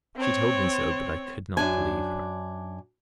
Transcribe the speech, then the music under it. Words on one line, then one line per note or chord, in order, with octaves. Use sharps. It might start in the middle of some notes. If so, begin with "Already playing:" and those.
She told me so, but I could not believe her.
C4 C#5
F#2 D4 G#5